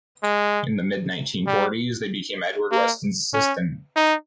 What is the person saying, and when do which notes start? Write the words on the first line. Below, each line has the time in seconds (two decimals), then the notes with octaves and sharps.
In the mid-nineteen forties, they became Edward Weston’s assistant.
0.23 G#3
1.47 G3
2.72 A#3
3.34 C#4
3.96 D#4